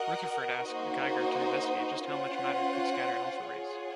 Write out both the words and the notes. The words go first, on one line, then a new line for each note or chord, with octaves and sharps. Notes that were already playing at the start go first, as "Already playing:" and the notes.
Rutherford asked Geiger to investigate just how much matter could scatter alpha rays.
Already playing: F#4 A#4 D#5 F#5
A#3 D#4 F#4 C5 D#5
C#4 F4 C5 F#5
F4 G#4 C#5 F#5